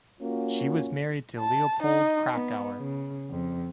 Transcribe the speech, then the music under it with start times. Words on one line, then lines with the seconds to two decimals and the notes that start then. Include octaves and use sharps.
She was married to Leopold Krakauer.
0.21 A#3 C#4 F4 F#4
1.40 A5
1.83 D#4
2.35 B3
2.79 C#3
3.30 F2